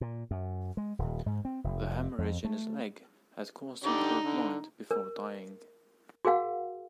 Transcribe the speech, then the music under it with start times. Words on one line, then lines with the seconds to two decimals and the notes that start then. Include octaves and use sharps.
The hemorrhage in his leg had caused him to go blind before dying.
0.01 A#2
0.31 F#2
0.77 G#3
0.99 D#1
1.26 G#2
1.45 C4
1.64 F1
2.18 F2
2.44 A3
3.84 D3 D#4 G4 D5
4.22 D3
4.91 A#4
6.25 F#4 G#4 A#4 F5 F#5